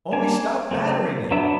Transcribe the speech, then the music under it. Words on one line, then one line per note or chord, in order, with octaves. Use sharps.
"Only stop battering it!"
G3 A#3 D4 G#5
C#3 F#3 A3 C4
F#3 B3 D4 E5